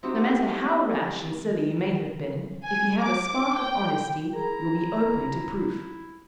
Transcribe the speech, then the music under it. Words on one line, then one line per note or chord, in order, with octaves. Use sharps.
No matter how rash and silly you may have been, if you have a spark of honesty you'll be open to proof.
C4 D#4 E4 F#4 G4
G#5
D6
G5
E4 G#4 A#4 A#5